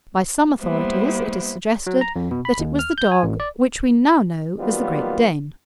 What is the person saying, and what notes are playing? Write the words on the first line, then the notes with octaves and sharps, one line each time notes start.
By some authorities it is suggested that it was the dog which we now know as the Great Dane.
G3 A#3 B3 E4 C5
F#3
A#5
F2
B2
B5
D#2
F6
G6
G#5
A1
D5
D#3 F#3 G3 A#3 B3 F4